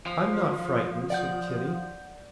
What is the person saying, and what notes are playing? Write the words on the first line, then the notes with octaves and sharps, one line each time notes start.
"I'm not frightened," said Kitty.
F3
D5 F#5 G6